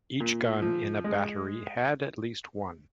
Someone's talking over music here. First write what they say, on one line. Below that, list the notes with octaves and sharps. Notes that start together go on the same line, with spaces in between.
Each gun in a battery had at least one.
A#2
F3
G#3